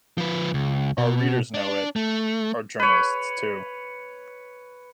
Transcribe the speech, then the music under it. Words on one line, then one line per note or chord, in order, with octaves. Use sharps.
Our readers know it, our journalists too.
F3 B4
C#2
B2
D4 D5
A3
B4 C#5